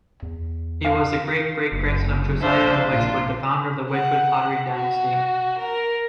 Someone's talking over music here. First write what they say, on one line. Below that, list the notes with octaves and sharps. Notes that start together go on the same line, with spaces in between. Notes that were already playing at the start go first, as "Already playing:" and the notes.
He was the great-great-grandson of Josiah Wedgwood, the founder of the Wedgwood pottery dynasty.
E2
F5
F#1
A#1 D4 C5 E5 F5
A#2 F4
F#5
F#4
A#4